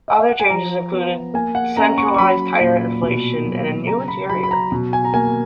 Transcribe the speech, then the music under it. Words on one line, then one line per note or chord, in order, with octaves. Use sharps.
Other changes included centralized tire inflation and a new interior.
D#5
F5
F#5
G#5
F3 A#5
B3
A#3 G#5
F#5
C#4 A#5
C#6
C#6
F#3 B5
A#2
B2
F#3
C#3 A#5
B5
F#3 B5
B5
A#5
B2
G#5
A#5
A#3 G#5